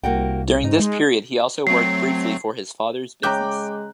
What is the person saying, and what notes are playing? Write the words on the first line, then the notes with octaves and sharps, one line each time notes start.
During this period, he also worked briefly for his father's business.
C2 A#3 F#4 G5
G#2 D#4
G#3
F#3 A3 C4 C7
C#3 G#3 E5 G5 A#5 D6 F#6 G6